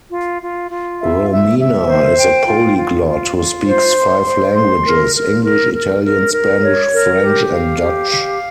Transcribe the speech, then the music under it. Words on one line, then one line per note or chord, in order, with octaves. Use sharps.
Romina is a polyglot who speaks five languages: English, Italian, Spanish, French and Dutch.
F4
F4
F4
E5
E5
E5
C5
G5
F4
F4
F4
F4
C5
C6
C5
C6
A#4
A#4
A#4
A#4
A#4
A#4
C#5
A#4
G4
F5
G4
F5